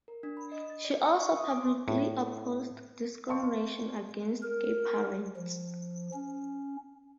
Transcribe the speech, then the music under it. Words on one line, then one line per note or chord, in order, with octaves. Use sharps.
She also publicly opposed discrimination against gay parents.
A#4
D4
B5
D#5
A6
D5
C#7
C#6
D#6
D6
C6
A2
D#5 F5 G5 A5 C6 C#6
A#4
F3
C#4